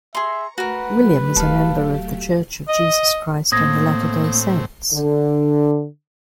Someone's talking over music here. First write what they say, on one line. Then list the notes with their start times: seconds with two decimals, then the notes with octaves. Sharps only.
William is a member of The Church of Jesus Christ of Latter-day Saints.
0.15 G#4 E5 A#5 C6 C#6
0.58 A3 F#4 A#4 B4 F#5
0.93 F#3 A3 G4
1.36 D#1 A4 F5
2.68 D#5
3.52 A2 A#3 C4 D#6 G#6 A#6
4.93 D3